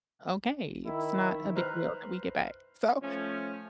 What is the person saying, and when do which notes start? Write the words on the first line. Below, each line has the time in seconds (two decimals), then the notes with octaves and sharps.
okay, it's not a big deal that we get back, so,
0.86 D#3 E4
1.55 B4 C5 A#5 F6 F#6
3.02 F3 A3 C#4